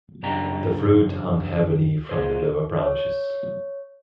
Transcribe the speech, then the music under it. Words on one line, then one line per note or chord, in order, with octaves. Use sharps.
The fruit hung heavily from the lower branches.
F#2 C#3 D4 G4 A#5
A#2 G#4 C5
C#5